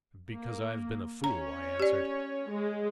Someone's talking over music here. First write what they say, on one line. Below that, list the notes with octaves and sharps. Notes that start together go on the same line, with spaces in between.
"Because I have been a fool," I answered.
A#3
C#4 C#5 A#5
G4 D5
G#3